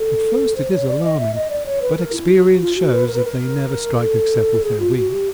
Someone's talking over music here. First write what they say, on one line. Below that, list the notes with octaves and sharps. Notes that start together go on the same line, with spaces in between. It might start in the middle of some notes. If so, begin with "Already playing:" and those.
At first it is alarming, but experience shows that they never strike except with their wings.
Already playing: A4
C5
C#5
D5
D#5
E5
D#5
D5
C#5
B4
A#4
E4
F#4
F#4
F4
F#4
B4
A#4
B4
A#4
A#4
A4
G#4
F4
F#4
G4